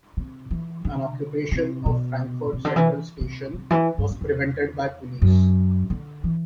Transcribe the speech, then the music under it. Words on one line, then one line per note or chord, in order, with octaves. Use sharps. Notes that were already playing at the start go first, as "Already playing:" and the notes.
An occupation of Frankfurt Central Station was prevented by police.
C3
E3
D3
C3
B2
C3
D3
E3
C3
C3
E3
G2
F#2
E2
F#2
D3
E3